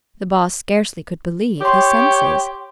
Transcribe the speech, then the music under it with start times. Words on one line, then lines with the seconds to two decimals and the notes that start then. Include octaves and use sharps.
The Boss scarcely could believe his senses.
1.61 G4 C#5 G5 C6 D6